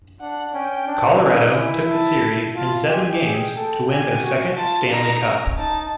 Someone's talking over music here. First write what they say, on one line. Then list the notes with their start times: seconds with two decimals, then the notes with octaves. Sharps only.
Colorado took the series in seven games to win their second Stanley Cup.
0.21 D4 F#5
0.54 C#4 G5
0.87 D4
1.21 D#4 G#5
1.55 E4
1.88 A5
2.56 F4 A5
2.89 G4 G#5
3.23 G#4 G5
3.56 A4
3.89 G4 G#5
4.22 F#4
4.57 F4 A5
4.91 D#4 A#5
5.23 C#4
5.58 D#4 A5